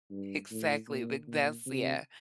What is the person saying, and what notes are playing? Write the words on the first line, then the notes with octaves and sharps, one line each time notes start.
Exactly, big that's yeah.
G2
A2
A#2
A#2
C3